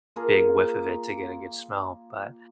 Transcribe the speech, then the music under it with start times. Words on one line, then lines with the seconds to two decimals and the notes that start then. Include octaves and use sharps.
big whiff of it to get a good smell, but,
0.16 A#3 F4 G#4 A#4